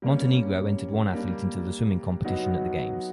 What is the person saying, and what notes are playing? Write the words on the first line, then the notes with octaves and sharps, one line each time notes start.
Montenegro entered one athlete into the swimming competition at the games.
G3 A#3 C#4
G3 A#3 D4
F#3 B3 D#4 F#4